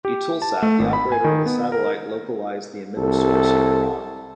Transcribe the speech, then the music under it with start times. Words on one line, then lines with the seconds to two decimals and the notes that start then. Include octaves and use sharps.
Eutelsat, the operator of the satellite localised the emitter source in Iran.
0.05 G4
0.42 A5
0.62 A3
0.79 G#1
0.93 B5
1.12 G#5
1.24 D#3
1.46 B3
1.72 A#4
2.97 C2 A4